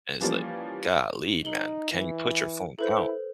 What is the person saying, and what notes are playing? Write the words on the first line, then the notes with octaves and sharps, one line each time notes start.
and it's, like, "Golly, man. Can you put your phone down?"
E3 F3 G3 A#3 C#4
D#4 F#7 G7
E3
E4 A4 B4 C5